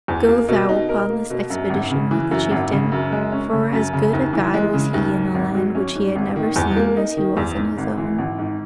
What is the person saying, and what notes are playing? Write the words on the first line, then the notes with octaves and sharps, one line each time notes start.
"Go thou upon this expedition with the chieftain." For as good a guide was he in a land which he had never seen as he was in his own.
E2
A#3
B2
D#4
A#4
A#3
B2
F#2
G#1
C#3
E3
F#2
G#1
C#3
F#2
G#3
C#4
C#3
F#2
C#3
D#2
E3
G#3
C#3
D#2
G#2
G#1
F#3
C#4
G#2
G#1
D#3
E2
A#3
D#4
D#3
E2
G#2
G#1
E3
G#1
G#2